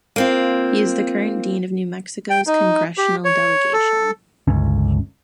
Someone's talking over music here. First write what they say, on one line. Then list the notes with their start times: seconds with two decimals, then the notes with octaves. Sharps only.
He is the current dean of New Mexico's Congressional Delegation.
0.16 A#3 C4 F4
2.30 G5
2.47 D#4
2.98 G4
3.25 C#5
3.73 A4
4.48 G1 C#2 C#4